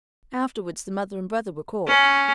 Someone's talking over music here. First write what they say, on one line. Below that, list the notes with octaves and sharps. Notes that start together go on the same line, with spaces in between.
Afterwards the mother and brother were caught.
C#4